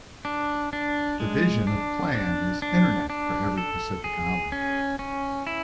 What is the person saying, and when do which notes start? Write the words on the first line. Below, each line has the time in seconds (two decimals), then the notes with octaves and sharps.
The vision of the plan is Internet for Every Pacific Islander.
0.25 D4
0.73 D4
1.20 G#3
1.67 D4
2.15 D4
2.62 D4
3.10 D4
3.58 A4
4.04 G#4
4.52 C#4
4.99 C#4
5.47 E4